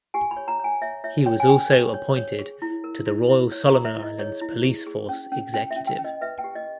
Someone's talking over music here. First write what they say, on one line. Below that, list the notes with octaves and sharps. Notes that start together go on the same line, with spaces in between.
He was also appointed to the Royal Solomon Islands Police Force Executive.
G4 G#5
B5
C#5
A#5
C#5 G#5
C#5 E5
C#5 E5
C#5 G5
G#5
G#4 G5
G#4
C#5
C#5
G#4
E4
A#4
E4
E4
C#5
A#5
A#4
E5
E4
D#5
G#4 C#5
E4
G#4
G#4
C#4
C#4
C#4 G5
E5
C#4
G5
C#4
D#5
B4 E5
G5
G4
D#5